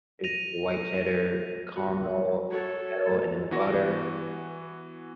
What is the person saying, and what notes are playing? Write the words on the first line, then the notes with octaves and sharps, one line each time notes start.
there's, like, the white cheddar, the caramel, the kettle, and then, the butter.
A#6 D#7 F7
F#4
F#4 A4 C#5
E3 B3 F#4 A#6